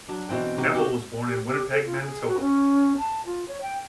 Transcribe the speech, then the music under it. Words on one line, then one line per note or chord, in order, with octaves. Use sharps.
Neville was born in Winnipeg, Manitoba.
F#3 D4
B2 E3 C4 G5
G#3 D#4 F#4 G4
A#3 D#4 F#4 G4
G4
G4
A4
F4
G#4
F#4
C#4
A5
F4
C#5
G5